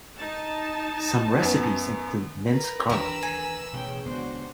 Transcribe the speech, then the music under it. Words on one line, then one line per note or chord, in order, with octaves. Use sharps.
Some recipes include minced garlic.
D#4 A5
F#2 B3
A#4 B4 A#5 B5
D#2 E3 D4 G4 B4 E6
G#5
A1 B2 C#4 G#4 G5
D#1 C#2 B3 D4 F#4 C5